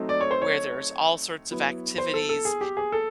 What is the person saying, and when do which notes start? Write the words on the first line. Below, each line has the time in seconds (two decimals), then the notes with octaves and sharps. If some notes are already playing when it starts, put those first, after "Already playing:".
where there's all sorts of activities,
Already playing: F#3 A3 C4 D#4
0.09 D5
0.21 C#5
0.31 C5
0.42 C#5
1.51 F#3 B3 E4
1.98 C5
2.14 A4
2.29 A4
2.45 G#4
2.61 G4
2.77 G#4
2.92 A4